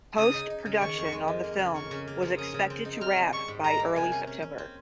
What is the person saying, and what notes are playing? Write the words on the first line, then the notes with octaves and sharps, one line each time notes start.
Post production on the film was expected to wrap by early September.
C#3 D#6
D#4
D#4
C#3
D#3 C#6
F2
G#3
F2
A#3
C#3
A#3 C#6
C#3
A#3
F3
C#4 D#6
C#3
C4
D#4
C4 F6
C#3
G3 C#6
G#2
G3 A#5
A#3
C3 G#5
C#4
C#4
C#4
C4